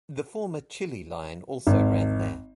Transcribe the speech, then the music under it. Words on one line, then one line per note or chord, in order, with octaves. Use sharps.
The former Chili Line also ran there.
G#1